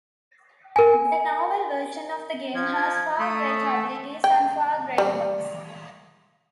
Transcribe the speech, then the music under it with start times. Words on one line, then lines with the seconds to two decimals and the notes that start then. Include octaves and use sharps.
The novel version of the game has far greater abilities and far greater bugs.
0.76 A#4 G#5
2.55 F3 G#6
3.19 A3 D#6
3.74 A5
4.24 G5
4.98 G3